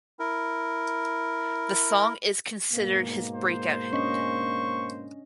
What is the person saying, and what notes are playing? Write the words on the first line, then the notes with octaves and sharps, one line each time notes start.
The song is considered his breakout hit.
E4 A#4
G#2 B2 A#3
C5
C#4 D4 D#5 C#6